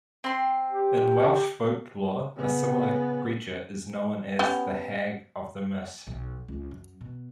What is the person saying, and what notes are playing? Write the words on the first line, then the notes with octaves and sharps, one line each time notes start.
In Welsh folklore, a similar creature is known as the hag of the mist.
C4 C6
G4
C#3 B3
B3 C#4 G4
B1
C#2
F#2
B2